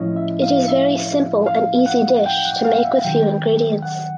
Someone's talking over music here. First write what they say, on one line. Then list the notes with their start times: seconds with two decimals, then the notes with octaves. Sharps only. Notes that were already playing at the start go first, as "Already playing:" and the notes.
It is very simple and easy dish to make with few ingredients.
Already playing: A2 F3 A3 C#4 E4 D#5
0.16 E5
0.42 F5
0.68 E5
1.47 F5
1.86 F#5
2.26 G5
2.45 F#5
2.65 F5
2.85 E5
3.04 C3 D#3 F#3 G5
3.82 F#5